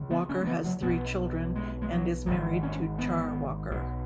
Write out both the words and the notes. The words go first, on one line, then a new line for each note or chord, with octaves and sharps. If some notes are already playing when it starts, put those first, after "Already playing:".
Walker has three children and is married to Char Walker.
Already playing: C#2 C#3
B3
C#4
G#3
B3
F#3
B2 B3
B1
G#3
G#3
F#3
G#1 G#2 F#3
C#4
B3
B1 B2